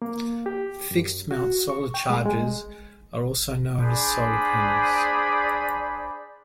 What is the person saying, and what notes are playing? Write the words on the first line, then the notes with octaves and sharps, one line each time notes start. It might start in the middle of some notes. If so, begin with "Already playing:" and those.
Fixed mount solar chargers are also known as solar panels.
A#3
G4
F#2
F#4
C#6
G5
G#3
G#3
D4 G#4 C5 D5 B5